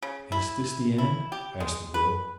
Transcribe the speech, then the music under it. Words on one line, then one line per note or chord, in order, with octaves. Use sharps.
"Is this the end?" asked the girl.
C#3
E4
E4
G4
G#3
B4